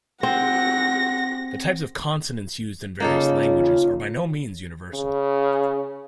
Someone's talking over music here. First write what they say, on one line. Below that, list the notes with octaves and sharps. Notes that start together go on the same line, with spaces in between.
The types of consonants used in various languages are by no means universal.
C4 F#5 A#6
C#3 A#3 D#4 F4 A4 C#5
C#3